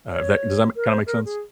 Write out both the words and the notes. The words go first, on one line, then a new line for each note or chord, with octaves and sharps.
Uh, if that does that ma kinda make sense?
C#5
A#4
C5
A#4
G#4